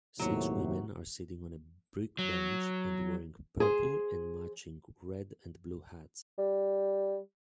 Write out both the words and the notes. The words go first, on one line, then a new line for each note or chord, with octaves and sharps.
Six women are sitting on a brick bench and wearing purple and matching red and blue hats.
D#2 A2 C3 F#3 C#5
F#3
G#4 C5
G3